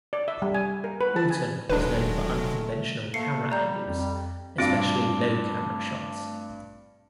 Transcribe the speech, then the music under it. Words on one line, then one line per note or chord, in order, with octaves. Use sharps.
Alton was known for unconventional camera angles-especially low camera shots.
D5
E5
G3
G#5
A#4
B4
A5
G#5
D#1 D#3 F#3 G#3 A3 D4 B4
A3 A#3 C7 C#7
G3 D5 A#5 G6
F2
G2 A3 C4 F4 A5 D6 A6 D7